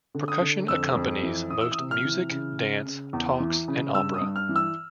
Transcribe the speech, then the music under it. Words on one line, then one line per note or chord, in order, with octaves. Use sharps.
Percussion accompanies most music, dance, talks, and opera.
D3
D#6
D3
F2 E6
F2
E3
E3 D#6
E6
D#6
C3
F6
E3
C#3
C#3
C#3
E2
E3
C#3
G2 E6
D#6
G2
F6
E3
E6